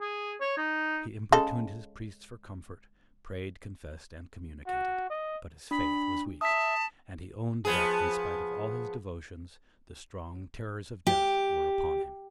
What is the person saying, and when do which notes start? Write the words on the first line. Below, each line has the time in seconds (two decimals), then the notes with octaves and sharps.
He importuned his priests for comfort, prayed, confessed, and communicated: but his faith was weak; and he owned that, in spite of all his devotions, the strong terrors of death were upon him.
0.01 G#4
0.41 C#5
0.57 D#4
1.32 C#3 G#3 A4
4.67 F#4
5.10 D#5
5.71 D4 B5
6.41 E5 A5 D#6 B6
7.65 F3 B3 G#4
11.07 G4